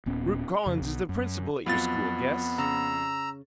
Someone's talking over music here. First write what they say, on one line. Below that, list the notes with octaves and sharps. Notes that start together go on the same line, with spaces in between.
"Rupe Collins is the principal at your school, guess."
D#1 A#2 B3 C#4
F2 C#3
B1
F#2
F2 F#3 B3 F4 A6
C#3 A#5 E6